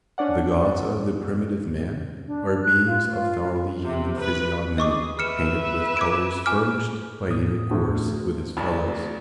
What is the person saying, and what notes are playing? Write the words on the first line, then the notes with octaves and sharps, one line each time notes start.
The gods of the primitive man are beings of thoroughly human physiognomy, painted with colors furnished by intercourse with his fellows.
C#4 D4 D5 F#5
D4
F#6
F4
F4
C3
B4
G#4 D#5 C#6 D6
B4 E5 F6 C#7 E7
D6 G#6 D7
G#5 D6 F6
A2 D#6
D2
G#1 D2 E3 A5 B5